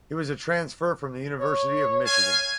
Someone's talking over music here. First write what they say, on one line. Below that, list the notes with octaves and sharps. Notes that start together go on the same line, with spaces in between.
He was a transfer from the University of Michigan.
C#5
F5 G#5